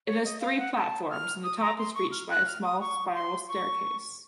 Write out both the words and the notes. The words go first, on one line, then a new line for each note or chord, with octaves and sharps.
It has three platforms and the top is reached by a small spiral staircase.
C#5
D#5
F5
F#5
A5
F6
D#6
A#5
C6
C#6
F6
F#6
F6
D#6
C#6
C6
C#6